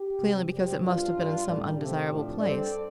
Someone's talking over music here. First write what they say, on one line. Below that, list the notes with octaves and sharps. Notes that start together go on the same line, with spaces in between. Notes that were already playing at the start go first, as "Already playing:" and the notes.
Clearly because it must have been in some undesirable place.
Already playing: G4
C3 G3 C4
F2 C3 G3 C4 G4
G2 G3 D4 F4
G2 G3 D4
A2 G3 D4
C3 A3 C4 G4
A2 F3 D4
G2 G3 C4 A4 D5